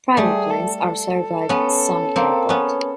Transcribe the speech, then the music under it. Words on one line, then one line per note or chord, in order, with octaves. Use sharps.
Private planes are served by Sumy Airport.
G3 A3 G#4
A4
A4
B3 C#4
A#3 C4
B3 C#4